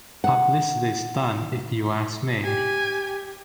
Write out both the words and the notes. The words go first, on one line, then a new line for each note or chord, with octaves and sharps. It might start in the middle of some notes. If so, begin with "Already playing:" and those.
Publicity stunt if you ask me!
F#5
G4 G#5